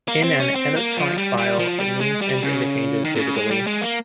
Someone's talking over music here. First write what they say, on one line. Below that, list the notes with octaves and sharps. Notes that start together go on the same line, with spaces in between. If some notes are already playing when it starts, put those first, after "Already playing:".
In an electronic file, it means entering the changes digitally.
A#3
C4
C#4
C4
A#3
F3
G3
G3
F3
G3
G#3
G3
C#3
D#3
C3
C#3
G#3
G3
G#3
A#3